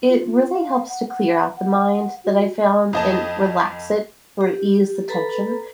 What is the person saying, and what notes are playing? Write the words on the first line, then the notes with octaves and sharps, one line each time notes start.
it really helps to clear out the mind that I found, and relax it, or ease the tension.
F4
F5
F#5
F#5
F#5
F#4
F2 D#5 A5
G4
A4 B4 A#5 B5